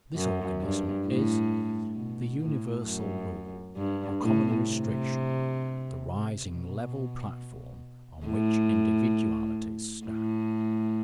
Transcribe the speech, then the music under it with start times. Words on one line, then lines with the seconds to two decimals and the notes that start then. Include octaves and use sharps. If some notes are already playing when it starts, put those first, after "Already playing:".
This organism is the universal rule, the common restriction, the rising level platform on which individualities stand.
0.16 F#2
0.61 G2
1.06 A2
1.96 B2
2.41 A2
2.86 F#2
3.76 G2
4.22 A2
4.66 C3
6.47 B2
8.26 A2
10.06 A2